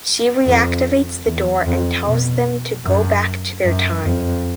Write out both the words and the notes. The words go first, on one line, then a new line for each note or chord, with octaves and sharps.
She reactivates the door and tells them to go back to their time.
F2
E2
F2
B2
F#2
F#2
F2